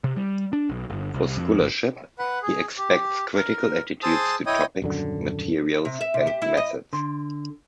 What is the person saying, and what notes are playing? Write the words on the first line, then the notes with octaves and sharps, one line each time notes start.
For scholarship he expects critical attitudes to topics, materials and methods.
C3
G3
D4
B1
G1
C2
F2
G#1
B4 F#5
G#4
G4
A#4
G#4 C5 A5 D#6 E6
E4 C#5 D#5 G5 D#6
D#1 F#2 D3
C3
E5
C3
G4
E4
D#5
D3 C6